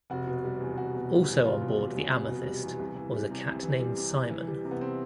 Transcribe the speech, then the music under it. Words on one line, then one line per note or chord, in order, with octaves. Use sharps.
Also onboard the "Amethyst" was a cat named Simon.
F1 F#4
B2
G3
E2
F1 F#4
B2
G3
E2
F1 F4
B2
G3
E2
F1
B2
G3
E2
C2
E3
G3
C3
C2
E3
G3
C3
C2
E3
G3
C3
B3
C4